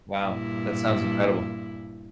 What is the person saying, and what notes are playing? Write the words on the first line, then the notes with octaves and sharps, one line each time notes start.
Wow, that sounds incredible.
G2 A#2 E4